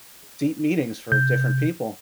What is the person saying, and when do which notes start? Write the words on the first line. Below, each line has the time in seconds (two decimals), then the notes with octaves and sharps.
deep meanings for different people,
1.12 C3 G6